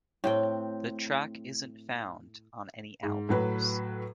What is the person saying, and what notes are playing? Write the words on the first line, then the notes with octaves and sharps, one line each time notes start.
The track isn't found on any albums.
A2 C4 G5
G#2
A2 F#3 B4